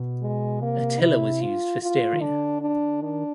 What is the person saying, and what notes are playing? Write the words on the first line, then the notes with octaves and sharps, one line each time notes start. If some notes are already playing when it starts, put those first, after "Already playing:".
A tiller was used for steering.
Already playing: B2
G#3
C3 A#3
E4
F4
F4
D#3
D3 D4
D4
D#3 D4